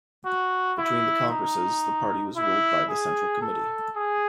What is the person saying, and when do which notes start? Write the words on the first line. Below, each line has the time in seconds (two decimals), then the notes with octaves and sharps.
Between the congresses the party was ruled by the Central Committee.
0.26 F#4
0.78 E4
1.31 D#4
2.37 E4
2.89 G#4
3.42 A4
3.96 G#4